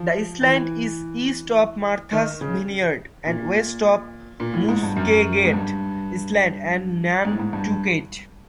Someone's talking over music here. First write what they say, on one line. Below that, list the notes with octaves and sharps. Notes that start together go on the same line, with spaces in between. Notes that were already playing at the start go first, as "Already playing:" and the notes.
The island is east of Martha's Vineyard and west of Muskeget Island and Nantucket.
Already playing: F3
E3
D#3
C#3
A#2
A#2
A2
G#2
G2
F#2
G#2
G2
G#2
A2
G#2
G2